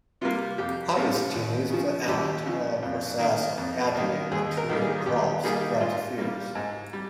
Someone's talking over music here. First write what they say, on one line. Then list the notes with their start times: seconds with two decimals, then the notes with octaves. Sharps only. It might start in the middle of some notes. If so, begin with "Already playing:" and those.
Harvesting is the act or process of gathering mature crops from the fields.
0.21 C3 G3 A#3 F4
0.58 F2 G4
0.96 C3 G3 A#3
1.34 D#2
1.70 C#3 F3
2.07 D#2 G4
2.46 C#3 F3
2.83 F2
3.19 D#3 A#3
3.58 F2
3.95 D#3 A#3
4.31 D#2 G#4
4.57 A#4
4.69 D#3 G3 A#3
4.82 G#4
5.06 D#2 G4
5.43 D#3 G3 A#3 G#4
5.80 G#2 F4
6.18 G3 A#3
6.55 G#2
6.93 G3